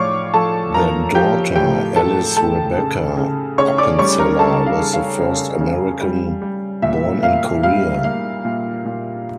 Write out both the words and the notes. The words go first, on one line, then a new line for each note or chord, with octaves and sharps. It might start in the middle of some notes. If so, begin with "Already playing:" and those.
Their daughter Alice Rebecca Appenzeller was the first American born in Korea.
Already playing: A2 F3 C#5 D5 F5 C#6 D6
F3 A4 A5
F3 A#4 A#5
F3 G4 G5
A2 G4 G5
A2 A4 A5
A2 A4 A5
C#3
C#3
C#3 C#5 C#6
D5 D6
G3 C#5 C#6
A#4 A#5
G3 A4 A5
F5
C#3
F5
C#3
C#3
G3
G3
A#2 E5
A#3 F5
G3 F5
A#3 F5
A#2
A#2